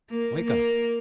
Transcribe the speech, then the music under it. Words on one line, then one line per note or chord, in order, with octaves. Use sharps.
Wake up!
A#3
A#3